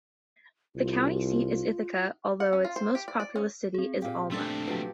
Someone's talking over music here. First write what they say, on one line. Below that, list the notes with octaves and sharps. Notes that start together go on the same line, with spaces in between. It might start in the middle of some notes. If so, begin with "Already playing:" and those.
The county seat is Ithaca, although its most populous city is Alma.
C2 F4
F#5
C#4
F4
C5
G4
D5
D5
C#4
C4 G#4
A#2 G4 F5
A3 C4 D4 C6 E6 A6
F3 F#3 G4 B4